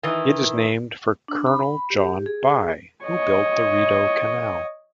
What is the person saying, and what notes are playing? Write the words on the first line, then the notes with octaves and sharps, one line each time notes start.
It is named for Colonel John By, who built the Rideau Canal.
D#3 E3
D4
B5
G4
G#4
C#5 D#5